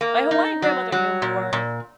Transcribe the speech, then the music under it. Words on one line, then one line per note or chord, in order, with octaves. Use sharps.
My Hawaiian grandmother knew more
A#3
D#4
F#3
F#3
A#2
A#2